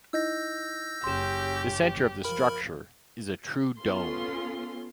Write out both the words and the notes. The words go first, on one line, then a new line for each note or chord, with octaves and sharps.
The center of the structure is a true dome.
D#4 E4 D#5 E6 G6 A#6
F#1 C#4 G4 C6 E7
F3 A#4 B5
B3 C#4 F4 A4 C6